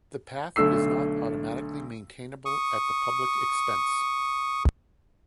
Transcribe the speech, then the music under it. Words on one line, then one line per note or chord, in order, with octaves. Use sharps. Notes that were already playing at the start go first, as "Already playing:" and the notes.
The path is not automatically maintainable at the public expense.
B1 D3 A3 E6 C7
C#6 D#6